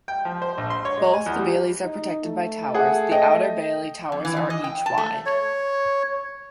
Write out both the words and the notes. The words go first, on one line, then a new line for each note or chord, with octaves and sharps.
Both the baileys are protected by towers; the outer bailey towers are each wide.
G5
F3
C5
A#1
C6
C#5
G#3
G#5
E2
G3
D#4
A3
G#4 F#5
D#5 G5
F2
E3
E3
D#5
G5
A5
A3
C#5